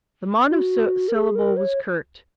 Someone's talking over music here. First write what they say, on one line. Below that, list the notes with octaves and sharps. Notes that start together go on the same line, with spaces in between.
The monosyllable was curt.
F#4
A#4
G#4
A#4
C#5